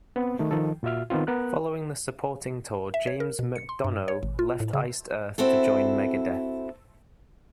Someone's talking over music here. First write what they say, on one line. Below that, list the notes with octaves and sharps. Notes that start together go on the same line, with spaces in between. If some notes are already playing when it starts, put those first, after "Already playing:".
Following the supporting tour, James MacDonough left Iced Earth to join Megadeth.
B3 C4
D#3 A3
D#3 F3 A4
A#2 F4 F#4 E5 F6
D#3 B3 C4 F4
B3 A#4 F#6
E5
C#5
A#4
B2
C#7
C6
G2
C#5
G#1
F4
A2
C#3
C4 E4 F#4 A4